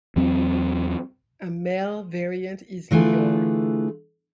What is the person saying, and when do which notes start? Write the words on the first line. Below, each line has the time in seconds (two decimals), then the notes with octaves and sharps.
A male variant is Leor.
0.16 E2 F#3 C4
2.91 D3 E3 A3 F4 G#4